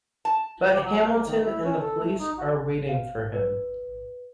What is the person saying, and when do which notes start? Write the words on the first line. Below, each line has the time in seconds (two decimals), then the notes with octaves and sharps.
But Hamilton and the police are waiting for him.
0.25 A5
0.71 G3
0.83 F#3
1.04 A#3
1.26 D#3
1.43 E4
1.63 C#4
1.78 A4
2.01 A3
2.18 D#4
2.37 F#4
2.89 F5
3.34 B4